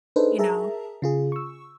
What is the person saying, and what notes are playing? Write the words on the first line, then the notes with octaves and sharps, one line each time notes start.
you know,
D4 D#4 G#4 A4 B4 C5
G#4 A#4 E5 A5 A#5
C#3 F4 G#4
C#6 E6